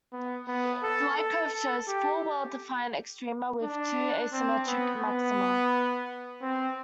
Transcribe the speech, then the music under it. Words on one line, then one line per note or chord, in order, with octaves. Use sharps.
The light curve shows "four well defined extrema with two asymmetric maxima".
B3
B3
A4
A4
A4
G4
D4
C4
B3
B3
C4